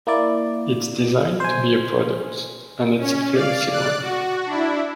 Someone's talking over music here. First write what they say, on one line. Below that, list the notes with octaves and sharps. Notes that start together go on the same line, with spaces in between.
It's designed to be a product, and it's a flimsy one.
A#3 E4 D5
B2
C5 G#5
C#4
D5 F5
D5 F#6
F#4
D4 E4